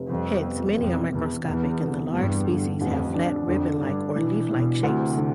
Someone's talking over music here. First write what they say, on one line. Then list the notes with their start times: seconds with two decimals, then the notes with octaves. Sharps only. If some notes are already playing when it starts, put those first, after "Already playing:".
Hence many are microscopic and the large species have flat ribbon-like or leaf-like shapes.
Already playing: F1
0.10 F2 G3
0.44 B3
0.78 E1 F2
1.11 E1 E2
1.45 E2 B3
1.79 C2
2.13 E2 G2
2.47 D3
2.81 A1 F2
3.14 D4
3.48 F2 D3
3.82 G2 D4
4.16 B2 E3
4.49 B2 E3
4.83 D2 C3
5.17 D3